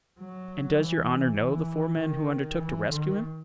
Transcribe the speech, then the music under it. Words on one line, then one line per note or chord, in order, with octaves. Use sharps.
"And does your honor know the four men who undertook to rescue him?"
F#3
E3
E3
D#3
E3
D#3